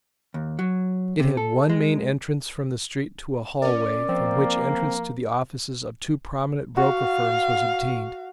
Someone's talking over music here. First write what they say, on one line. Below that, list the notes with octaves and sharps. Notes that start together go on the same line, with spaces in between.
It had one main entrance from the street to a hallway, from which entrance to the offices of two prominent broker firms was obtained.
D#2
F#3
C3
A4
G#3
C#4 A#4 D5
F3 A#3 C4
F#4 F5